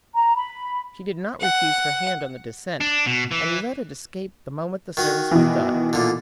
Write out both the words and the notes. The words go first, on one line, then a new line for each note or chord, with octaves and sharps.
She did not refuse her hand on the descent, and he let it escape the moment the service was done.
A#5
B5
F#5
D4
B2
E3
D#3 F#4 D#6
B2 E3
A#2 D3